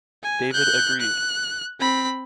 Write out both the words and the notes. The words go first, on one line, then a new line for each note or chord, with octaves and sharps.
David agreed.
G#5
F#6 G6
F#6
C4 B5